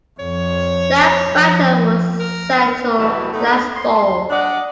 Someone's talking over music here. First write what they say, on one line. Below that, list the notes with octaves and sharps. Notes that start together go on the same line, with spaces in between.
That battle was settled last fall.
F2 C#5
F3
A#4
B2 E3 F#3 G3 A3 B3
A3 B3 D4 D#4
C6
D4 D5 D#5 F#5